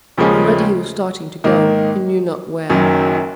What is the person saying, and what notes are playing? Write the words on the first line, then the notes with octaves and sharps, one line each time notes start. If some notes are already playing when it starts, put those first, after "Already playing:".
Already he was starting to go, he knew not where.
D#2 C#3 F3 G#3 C#4
G#2 D#3 A#3 D#4
F#1 F#2 D#3 F#3 C#4